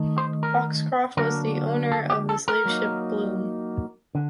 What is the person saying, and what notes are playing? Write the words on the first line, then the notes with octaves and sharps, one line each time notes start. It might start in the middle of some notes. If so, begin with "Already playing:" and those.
Foxcroft was the owner of the slave ship "Bloom".
Already playing: D#3 A3 D#4
C5
A#4
D3 F#3 A#3 D4 A#4
A4
G4
A4
A#4
F#3 A#3 D#4
D3